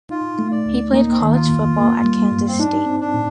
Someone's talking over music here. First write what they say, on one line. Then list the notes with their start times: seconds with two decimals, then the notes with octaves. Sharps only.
He played college football at Kansas State.
0.10 D#4 F4
0.39 A3
0.52 D5
0.66 D2
0.93 A#3 D#4
1.11 C4
1.18 D4
1.21 D#3
1.27 D#4
1.35 F4
1.49 F2
1.77 A#3
2.04 G3
2.32 G2
2.48 C4
2.59 D4 D#4
2.86 C4
3.01 D4
3.14 A2